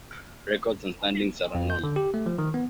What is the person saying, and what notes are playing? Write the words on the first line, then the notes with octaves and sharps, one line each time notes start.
Records and standings are unknown.
F2
G6
D3
G4
A3
F3
D#3
B3